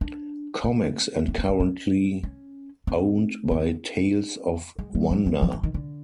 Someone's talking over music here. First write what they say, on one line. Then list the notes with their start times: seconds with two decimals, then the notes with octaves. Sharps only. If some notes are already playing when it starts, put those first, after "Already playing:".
Comics and currently owned by Tales of Wonder.
0.01 D4
0.64 C#4
1.28 C4
1.38 B3
1.49 C#4
1.60 C#4
2.23 C#4
2.87 C4
3.51 B3
4.79 G#3
4.95 G3
5.11 F#3
5.26 F3
5.42 F3
5.53 E3
5.63 D#3
5.74 D3